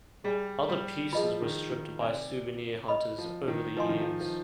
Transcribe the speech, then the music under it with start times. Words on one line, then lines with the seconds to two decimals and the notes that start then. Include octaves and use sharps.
Other pieces were stripped by souvenir hunters over the years.
0.24 G3 G#4 D5 G#5
0.68 G3
1.13 F3 G#4 B4 D#5 G5 B5
1.42 D#3
1.72 D#3
2.00 C3 B4 D5 G#5
2.88 B4 D#5 B5
3.18 F3
3.48 D#3
3.77 F3 B4 D#5 G#5 C6
3.89 D#3
4.01 F3
4.21 F3